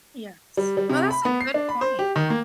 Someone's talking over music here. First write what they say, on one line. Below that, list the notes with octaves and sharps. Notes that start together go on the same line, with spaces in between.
Yes. No, that's a good point.
G3
G3
C3
B5
B3
C7
D4
B5
C5
G4
D#3
A#3